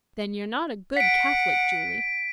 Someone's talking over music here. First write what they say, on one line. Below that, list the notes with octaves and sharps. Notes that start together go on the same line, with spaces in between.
"Then you're not a good Catholic, Julie?"
F#5 B6 D7